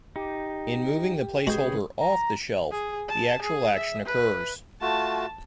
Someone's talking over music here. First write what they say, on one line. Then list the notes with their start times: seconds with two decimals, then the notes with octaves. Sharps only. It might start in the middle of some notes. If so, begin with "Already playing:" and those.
In moving the placeholder "off" the shelf, the actual action occurs.
0.16 D#4 G4
1.47 C#3 G#3 F#4 G#4 B4 G6
2.01 A#5
2.71 G#4
3.09 A5
3.42 G#4
3.75 E5
4.06 B4
4.81 A3 F4 F#4 A5